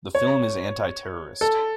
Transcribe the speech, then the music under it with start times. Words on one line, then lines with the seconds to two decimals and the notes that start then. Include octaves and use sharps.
The film is anti-terrorist.
0.15 C#5
1.41 A4